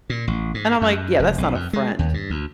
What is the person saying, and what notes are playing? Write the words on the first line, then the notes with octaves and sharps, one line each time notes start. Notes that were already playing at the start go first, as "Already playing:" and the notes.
And I'm, like, "Yeah, that's not a friend."
A#2
A1
G#2
F#2
F1
B1
F2
G#3
D#2
G2
D2